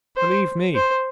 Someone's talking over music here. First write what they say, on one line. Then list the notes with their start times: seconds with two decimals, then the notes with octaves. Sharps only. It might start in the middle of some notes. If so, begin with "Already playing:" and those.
Believe me!
0.16 C5
0.75 C5